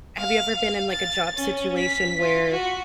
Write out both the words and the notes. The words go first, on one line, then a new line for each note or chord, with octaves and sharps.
Have you ever been in, like, a job situation where,
F5
F5
A6
C#4
B6
F4
F#4